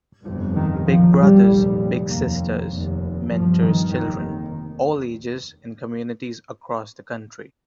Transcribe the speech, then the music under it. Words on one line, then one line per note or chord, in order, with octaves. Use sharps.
Big Brothers Big Sisters mentors children, all ages in communities across the country.
G1 F2 C3 F3
D#3
A#1 A#2 F3
G3
F1 D#2
F1 D#2 A#3
F1 D#2
G1 G2 F3
D#3
F1 D#2 D#3